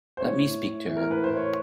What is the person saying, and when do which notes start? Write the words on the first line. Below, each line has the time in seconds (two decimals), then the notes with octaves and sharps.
Let me speak to her.
0.17 C5
0.21 A2 C#5
0.43 A2
0.65 A2
0.86 E3
0.97 A#4
1.07 A2 B4
1.24 C5
1.29 A2
1.37 C#5